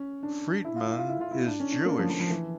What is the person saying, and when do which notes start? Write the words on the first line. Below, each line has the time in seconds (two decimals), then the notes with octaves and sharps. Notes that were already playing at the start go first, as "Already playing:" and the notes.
Friedman is Jewish.
Already playing: C#4
0.23 D4
0.65 E4
0.76 F4
0.87 E4
0.98 F4
1.09 E4
1.21 F4
1.31 E4
1.47 D4
1.60 C#4
1.72 D4
1.85 A#3
1.89 C#4
1.99 F3
2.09 F3
2.20 F3
2.30 E3